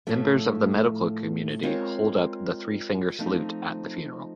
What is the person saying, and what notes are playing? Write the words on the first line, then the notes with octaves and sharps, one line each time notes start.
Members of the medical community hold up the three finger salute at the funeral.
A2 F3 A3
G#3 C4 F4 A#4 C#5
F3 A3 C4 D#4